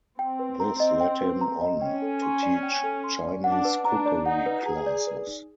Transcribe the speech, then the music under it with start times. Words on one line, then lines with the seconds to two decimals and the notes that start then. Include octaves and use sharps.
This led him on to teach Chinese cookery classes.
0.19 C4 G5
0.39 B4
0.60 A#5
0.80 D#5
1.01 G5
1.21 B4
1.41 A#5
1.61 D#5
1.81 C#4 G5
2.02 A4
2.22 C6
2.43 D5
2.63 G5
2.83 A4
3.04 C6
3.24 D5
3.44 D4 F#5
3.65 B4
3.85 D4 A#5
4.06 D5
4.26 D#4 F#5
4.46 B4
4.66 G#4 A#5
4.86 D5
5.07 B4
5.27 D#4